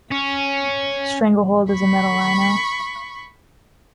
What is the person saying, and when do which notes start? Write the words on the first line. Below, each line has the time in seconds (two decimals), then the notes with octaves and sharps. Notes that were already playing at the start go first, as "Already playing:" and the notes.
Stranglehold is a metal rhino.
0.12 C#4
1.71 B5 C#6